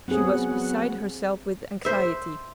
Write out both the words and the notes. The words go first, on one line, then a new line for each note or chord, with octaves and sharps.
She was beside herself with anxiety.
F#3 B3 C4 G#4 F#5
C5 E5